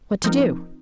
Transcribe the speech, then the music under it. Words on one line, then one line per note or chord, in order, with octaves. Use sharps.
"What to do?"
F3 C4 D#4 A#4